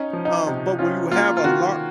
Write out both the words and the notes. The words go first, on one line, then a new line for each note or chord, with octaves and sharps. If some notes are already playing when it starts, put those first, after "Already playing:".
um, but when you have a lar
Already playing: C#4 D#4
F3
D#4
C3
C#4 F4
A#3 F4
F4
D#3 F#4